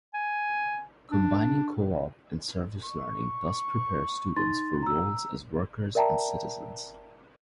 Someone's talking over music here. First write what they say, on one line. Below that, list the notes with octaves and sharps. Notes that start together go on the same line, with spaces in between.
Combining co-op and service learning thus prepares students for roles as workers and citizens.
G#5
D4
C#6
D#4 C6 A6
A#5 E6
A#4 D5 E5 G5 A5 A#5